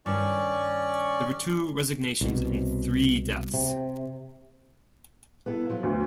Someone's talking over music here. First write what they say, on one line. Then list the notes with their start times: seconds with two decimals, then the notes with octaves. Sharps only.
There were two resignations and three deaths.
0.06 G2 D#3 C#4 D5 C#6
2.21 C2 B2
3.54 C3
5.46 B3 E4 A4
5.69 F3 F#3 B3
5.83 D2